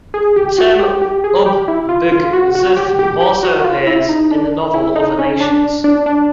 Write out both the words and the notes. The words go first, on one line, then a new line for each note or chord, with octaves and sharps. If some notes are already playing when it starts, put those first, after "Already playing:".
The term Ub-Bg-zth also appears in the novel Other Nations.
G#4
G4
F#4
G4
G4
G#4
G4
E4
F4
F4
F#4
F#4
G4
G4
G4
F#4
F4
E4
D#4
D4
E4
D#4
C#4
D4
D4
D4